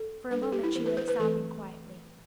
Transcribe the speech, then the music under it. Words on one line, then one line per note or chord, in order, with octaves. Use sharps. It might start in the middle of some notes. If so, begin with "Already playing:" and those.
For a moment she lay sobbing quietly.
Already playing: A4
G3 D4 B4
A4
G4
E4
E3 B3 D4 C5
B4
C5
B4
E3 A3 C4 A4